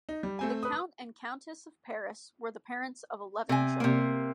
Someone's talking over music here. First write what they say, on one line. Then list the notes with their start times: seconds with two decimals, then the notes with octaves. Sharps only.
The Count and Countess of Paris were the parents of eleven children.
0.09 D#4
0.23 G3
0.39 A3 C4 G#5
0.63 B4 D#6
3.49 C3 G#5
3.80 C3 A#3